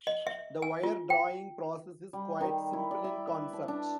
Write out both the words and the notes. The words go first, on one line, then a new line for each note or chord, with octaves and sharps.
The wire drawing process is quite simple in concept.
D#5
E5
G#5
F4
G5
G3
D#3
E4
D5
E5
B4
A5
D4